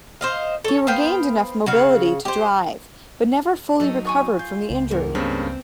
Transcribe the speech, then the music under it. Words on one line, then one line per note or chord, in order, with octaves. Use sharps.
He regained enough mobility to drive but never fully recovered from the injury.
C5 D#5 F5
A4 C#5
B3 C5 F5 G5
C#3 F#4 F5
G4 C5
F#3 D#4 A4
G#5 C#6 D#6
F4 G6
C#2
E2 G2 A#4
G2 C#3 A#3 C4